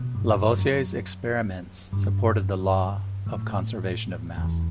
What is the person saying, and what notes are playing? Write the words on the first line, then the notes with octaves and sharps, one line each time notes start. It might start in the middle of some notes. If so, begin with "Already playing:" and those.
Lavoisier's experiments supported the law of conservation of mass.
Already playing: B2
G2
F#2
F#2
G2
G2
A2
E2